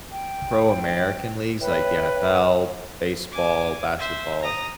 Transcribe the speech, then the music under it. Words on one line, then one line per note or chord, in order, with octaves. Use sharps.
pro American leagues like the NFL, baseball, basketball,
G5
B4 C#5 E5 G5
G#5 D6
C5 E5
A#5 D#6